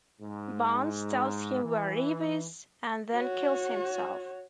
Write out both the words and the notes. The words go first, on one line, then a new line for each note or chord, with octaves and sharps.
Barnes tells him where Eve is and then kills himself.
G#2
E3
F#4 C#5